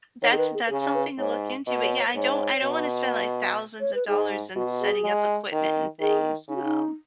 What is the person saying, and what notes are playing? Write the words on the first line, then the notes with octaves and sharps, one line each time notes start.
That's that's something to look into, but yeah, I don't I don't wanna spend, like, thousands of dollars in setting up equipment and things. Um.
D#3 C#5
G#4
B4
G#4
B4
C#3 G#4
B4
G#2 C#5
B2 D#5
C#5
C#5
B4
G#2 C#5
B2
C#5
B4
G#2 G#4
B2 F#4
G#4
G#3
D#3
D#3 G#4
C#3 D#4
F#4
D#4